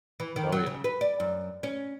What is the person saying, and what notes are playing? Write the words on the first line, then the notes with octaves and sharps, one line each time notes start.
Oh, yeah.
E3
D#3
F#3
C#3
B4
D5
F#2
C#4